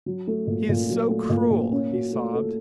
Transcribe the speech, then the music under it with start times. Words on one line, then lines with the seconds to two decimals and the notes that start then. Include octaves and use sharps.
"He is so cruel!" he sobbed.
0.06 F#3
0.27 A3
0.47 A#2
0.69 A#2
0.89 F#3
1.09 A3
1.30 A#2
1.50 A#2
1.72 C#4
1.92 F#4
2.13 A3
2.34 A4